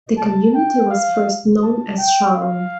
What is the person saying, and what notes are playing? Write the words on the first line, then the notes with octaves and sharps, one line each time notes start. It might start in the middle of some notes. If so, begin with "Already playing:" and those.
The community was first known as Sharon.
A5
G5
F5
A5
G5
F5